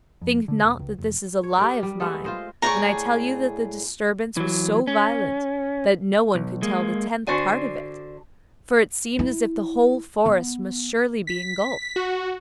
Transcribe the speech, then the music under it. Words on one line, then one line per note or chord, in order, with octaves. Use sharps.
Think not that this is a lie of mine, when I tell you that the disturbance was so violent that no one could tell the tenth part of it: for it seemed as if the whole forest must surely be engulfed.
F2
D3
E1
C#2
F1
C#5
G4 A#4 D5
G3
G#3 A3 B3 A4
F4 C5 D#5
A2 G#4 D5 A#5 C#6
E3 F#3
C#4
B1
G#3 A#3
D3 D4 F#4 C5 D5 G#5
E4
B3
B6
F#4